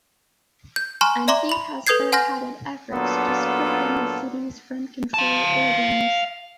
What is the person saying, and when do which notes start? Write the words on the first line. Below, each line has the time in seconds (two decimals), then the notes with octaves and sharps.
And he has spearheaded efforts to strengthen the city's rent control ordinance.
0.76 G6
1.01 G#5 A#5 C6 C#6 F6 F#6
1.28 D5 E5 A#5 C6 D6 G7
1.49 B5 F#7
1.87 A4 B4 D#6 G6 G#6 C7
2.12 F#5 G#5 C6 F6 G6 A#6
2.92 A#2 F#3 B3 D4 F4 A4
5.14 F5 A5